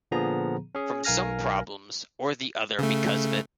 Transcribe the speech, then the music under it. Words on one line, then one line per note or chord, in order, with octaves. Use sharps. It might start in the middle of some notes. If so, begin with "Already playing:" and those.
From some problems or the other because of it.
A#2 D3 F3 B3 G#4 A#5
C#4 G#4
B1 A#4 F5 G#5 F6 A#6
C#3 A3